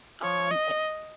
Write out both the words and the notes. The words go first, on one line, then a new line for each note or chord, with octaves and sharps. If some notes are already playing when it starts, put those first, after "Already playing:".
um, and
C#5
D#5